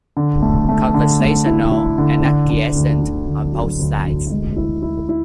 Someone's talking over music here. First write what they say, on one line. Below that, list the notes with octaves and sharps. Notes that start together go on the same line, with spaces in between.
Conversational and acquiescent on both sides.
D3
A3
A3
D3
A3
E4
E4
D3
D3
D3
D2
D3
D2
F#3
D2
D2
G#3
E4
E4
E4